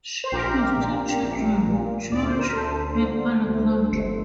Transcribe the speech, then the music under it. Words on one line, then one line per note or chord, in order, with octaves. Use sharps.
She has two children, Georg and Alexandra.
C5
A#1 G4 A#4
A#2
A#1
A#2
D2 D5
C5
A#4
D2 A4 C5
D3
D2
G1